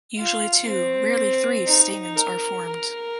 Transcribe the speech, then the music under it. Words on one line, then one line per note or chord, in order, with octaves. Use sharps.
Usually two rarely three stamens are formed.
F4
C4
D#4
A#4
A#4